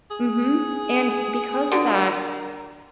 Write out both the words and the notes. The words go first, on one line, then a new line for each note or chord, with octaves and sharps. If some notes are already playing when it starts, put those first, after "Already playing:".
mhm. And because of that
G#4
D3 A#4